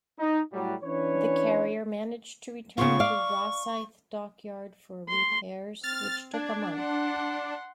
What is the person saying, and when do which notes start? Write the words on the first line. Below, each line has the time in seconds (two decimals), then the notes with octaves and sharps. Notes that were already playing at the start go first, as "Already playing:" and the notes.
The carrier managed to return to Rosyth Dockyard for repairs, which took a month.
0.19 D#4
0.53 A2 F#3 G3
0.83 E3 C#4 D4 B4 C#5
2.78 C#3 B3 F4 C#6
2.99 D5 F5
5.09 C6
5.83 C4 F6 A6
6.34 D4 G#6
6.77 F#5 C6